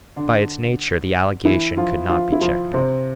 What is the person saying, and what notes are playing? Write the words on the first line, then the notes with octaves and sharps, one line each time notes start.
By its nature, the allegation could not be checked up.
D3 D4
E3 E4
F3 F4
F3 F4
E4
F3 F4
C3 C4